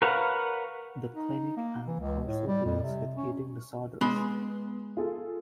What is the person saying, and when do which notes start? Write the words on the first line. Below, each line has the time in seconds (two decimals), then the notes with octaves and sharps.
The Klinik am Korso deals with eating disorders.
0.02 A#4 B4 C#5 F5 F#5
1.15 D#4
1.57 A#3
1.87 E3
2.00 C#2
2.27 A2
2.48 G3
2.66 F2
2.83 C3
3.16 C#4
4.01 G#3 B3 B5 C6
4.97 F4 G#4 A4